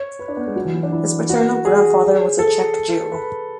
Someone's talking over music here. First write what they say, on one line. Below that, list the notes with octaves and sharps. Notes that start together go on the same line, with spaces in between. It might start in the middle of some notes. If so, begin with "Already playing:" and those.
His paternal grandfather was a Czech Jew.
Already playing: C#5
B4
D4
B3
G#3
F#3
E3
F#3
D4
E4
F#4
G#4
A4
B4